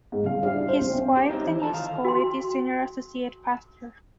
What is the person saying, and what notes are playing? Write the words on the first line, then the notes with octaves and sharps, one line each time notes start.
His wife Denise Goulet is Senior Associate Pastor.
G#2
C#3 G3 F5
D4 E4 G4 F5
C5
C4 C#4
G4
D#4 C5 C#5 D#5 E5
E3
F4 A4 A5 A#5
D#3 F5
F#4 G5 C6